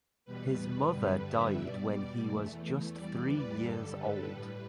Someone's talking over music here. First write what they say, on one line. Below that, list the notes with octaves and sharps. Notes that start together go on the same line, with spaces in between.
His mother died when he was just three years old.
E2 B2 G3 B4
B4
G2 D3 G3 B4
E5
B2 G3 D5
E2 E3 A3
E2 E3 G3 D5
B4
G2 D3 G3 A4
B4
A2 G3